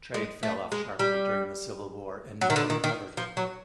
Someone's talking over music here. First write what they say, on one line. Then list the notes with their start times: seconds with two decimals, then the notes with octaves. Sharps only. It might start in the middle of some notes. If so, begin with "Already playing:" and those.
Trade fell off sharply during the Civil War and never recovered.
0.14 G#3
0.43 A3
0.72 G#3
0.99 G3
2.41 F#3
2.50 D#3
2.56 D3
2.70 D#3
2.84 D#3
3.17 F3
3.37 F#3